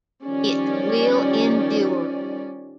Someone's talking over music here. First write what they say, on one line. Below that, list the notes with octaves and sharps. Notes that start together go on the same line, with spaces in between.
It Will Endure.
D#3 F3 G3 C#4 D5